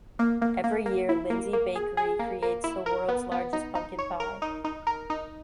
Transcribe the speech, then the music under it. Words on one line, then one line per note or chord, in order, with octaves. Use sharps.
Every year, Lindsey's Bakery creates the "world's largest" pumpkin pie.
A#3
A#3
A#3
A#3
E4
A#3
A#3
G#4
G#4
A#3
A#3
E4
A#4
B3
B3
D#4
D#4
C#5
A#4
D#4
D#4
A#4
D#4